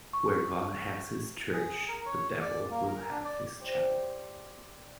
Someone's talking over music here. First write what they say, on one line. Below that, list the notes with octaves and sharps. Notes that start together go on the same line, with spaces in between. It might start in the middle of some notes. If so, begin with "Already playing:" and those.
Where God has his church, the devil will have his chapel.
C#6
G#4
A#4
C#5
D5
A#3
A#4
D4
D5
G4 C5 D5 G5